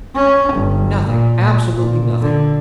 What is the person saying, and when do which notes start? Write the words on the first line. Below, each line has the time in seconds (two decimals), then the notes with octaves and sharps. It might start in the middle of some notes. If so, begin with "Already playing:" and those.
Nothing--absolutely nothing.
0.15 C#4
0.53 G1
1.05 A#2
1.38 A#2
1.75 A#2
2.21 D3